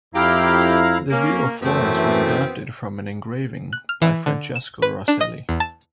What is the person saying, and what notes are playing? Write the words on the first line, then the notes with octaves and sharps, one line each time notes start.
The view of Florence was adapted from an engraving by Francesco Rosselli.
F2 E4 G4 F5 A#5
A#3 C#4
F#2 E3 A3 B3 C4
F#6
F6
E3
D3
E7
B4
D4
D#5
E2
A5